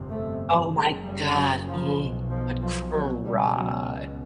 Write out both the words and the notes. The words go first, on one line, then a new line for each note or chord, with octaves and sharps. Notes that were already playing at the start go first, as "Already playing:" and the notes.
Oh my god, ooh, I'd cry.
Already playing: G1 F2 C3
A3
F#1 F#2 C#3 G#3
G3
F#3
F3
B1 B2
F3
F3
F#3
C#2 B2 G3
F#3